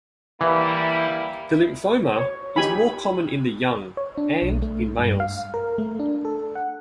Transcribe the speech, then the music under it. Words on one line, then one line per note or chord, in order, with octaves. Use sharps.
The lymphoma is more common in the young and in males.
E3 G3 A#3 E4
C#5
D#4 G4 G#5 B5
C#5
D4
B1
A3
G2
F5
A#4
A3
D4
A4
F#5